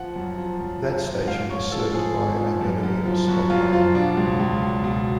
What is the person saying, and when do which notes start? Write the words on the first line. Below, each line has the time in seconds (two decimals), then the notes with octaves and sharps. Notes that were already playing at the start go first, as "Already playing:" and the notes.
That station is served by Abellio ScotRail.
Already playing: F3 F#5
0.16 F#2
0.38 F3
0.61 F#2
0.83 F3
1.06 F3
1.27 G#2 F5
1.49 G#2 C#5
1.71 F3 A4
1.94 F3 G#4
2.17 G#2
2.39 F3
2.61 F#2
2.83 F#2
3.05 F3
3.28 F#2 F#4
3.50 F#2 F4
3.73 F3 F4
3.95 B2 D4
4.17 C#2
4.39 C#2
4.62 B2
4.84 B2